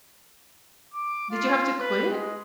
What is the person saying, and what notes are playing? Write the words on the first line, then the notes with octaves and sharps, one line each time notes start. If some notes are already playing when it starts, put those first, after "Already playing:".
Did you have to quit?
D6
F4
B4
G#3